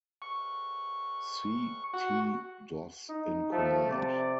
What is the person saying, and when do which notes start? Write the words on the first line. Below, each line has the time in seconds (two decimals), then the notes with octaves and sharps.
C. T. Doss in command.
0.22 C#6
1.94 F#4
3.09 D#4
3.52 F3 A3
3.90 C3 D5